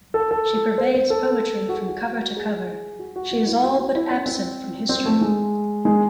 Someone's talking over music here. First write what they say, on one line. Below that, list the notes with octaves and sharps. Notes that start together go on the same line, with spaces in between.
She pervades poetry from cover to cover; she is all but absent from history.
A4
A4
C5
C5
A4
F#4
G#4
F#4
G#4
F#4
F#4
F#4
E4
F#4
F#4
E4
C#4
C4
C4
A3
G#3
G#3